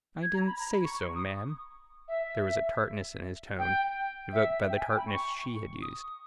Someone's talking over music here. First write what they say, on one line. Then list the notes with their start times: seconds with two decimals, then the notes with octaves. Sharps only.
"I didn't say so, ma'am." There was a tartness in his tone evoked by the tartness she had used.
0.23 G#6
0.34 A#5
0.47 B5
0.59 A#5
0.72 B5
0.84 C#6
1.16 D#6
2.08 E5
3.59 G5
4.33 E5
4.70 G5
4.79 G#5
4.89 G5
4.98 B5
5.08 C#6
5.82 D#6